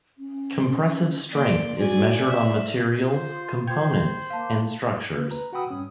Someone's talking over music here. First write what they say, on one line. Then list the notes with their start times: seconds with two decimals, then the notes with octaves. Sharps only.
Compressive strength is measured on materials, components, and structures.
0.18 C#4
1.33 A#3 D5 C6
1.78 F#4 D5 G#5
2.27 D5 E5
3.08 F4 C5
3.67 C5 G5 G6 G#6
4.30 A#3 F5 A5
5.14 A#3 B4
5.31 B4 A#5
5.53 F#4 F#5 G5 B5 D#6 E6
5.69 G2 C#4 D#6